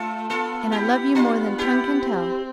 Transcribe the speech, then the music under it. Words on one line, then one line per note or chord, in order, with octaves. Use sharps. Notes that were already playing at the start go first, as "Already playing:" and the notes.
And I love you more than tongue can tell.
Already playing: A3 F4 A4
B3 F4 A4
E4 G4
B3 D4 F4
E4 G4
C4